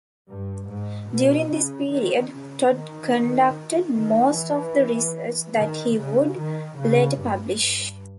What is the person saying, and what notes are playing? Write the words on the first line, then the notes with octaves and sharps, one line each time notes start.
During this period Tod conducted most of the research that he would later publish.
G2
G#2
B2
C#3
D#3
C#3
D#3
D#3
E3
D#3
C#3
D#3
C#3
G2
G2